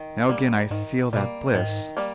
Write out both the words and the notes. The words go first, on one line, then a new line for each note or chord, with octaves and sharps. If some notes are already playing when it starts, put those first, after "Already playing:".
Now again I feel that bliss.
Already playing: D#3
G3 A#3
G#2 D#3
B2 G3 A#3
G#2 D#3
G3 A#3